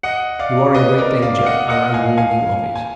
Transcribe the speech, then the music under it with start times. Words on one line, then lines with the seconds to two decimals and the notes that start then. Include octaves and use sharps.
You are in great danger, and I warn you of it.
0.03 D#5 F#5
0.39 D5 F5
0.74 B4 D#5
0.98 A#4 D5
1.22 D5 F5
1.38 F5
1.46 D#5 F#5
1.69 D#5 F#5
1.94 F5 G#5
2.18 F5 G#5
2.76 G#5